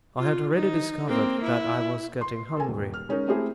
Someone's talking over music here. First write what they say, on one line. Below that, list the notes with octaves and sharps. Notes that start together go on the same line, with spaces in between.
I had already discovered that I was getting hungry.
F4
D#4
A#3 C4
E4
C6
A4 A#4 G#5
D#1
F6
G#3 C#4 D#4 A#4
A3 C4 E4 G4 G#4